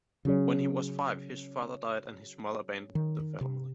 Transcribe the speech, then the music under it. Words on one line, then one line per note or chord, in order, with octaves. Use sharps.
When he was five, his father died, and his mother abandoned the family.
C#3 F#3 C#4 G#4 C#5
D#3
C3